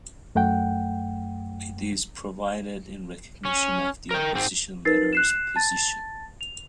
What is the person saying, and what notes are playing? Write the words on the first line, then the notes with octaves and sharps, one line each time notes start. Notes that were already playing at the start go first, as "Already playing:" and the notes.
It is provided in recognition of the opposition leader's position.
F#2 A3 F#5 G5
C#4
A#4 G5
G#2 C4
D#4 A#4 B4 A6 C7
F#6 C7 E7
A5 A6
F7